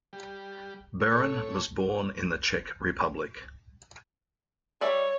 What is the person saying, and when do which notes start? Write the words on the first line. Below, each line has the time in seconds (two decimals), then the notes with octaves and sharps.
Beran was born in the Czech Republic.
0.13 G3
1.12 A2 A4 C#5
4.81 G3 C#5 D5 E5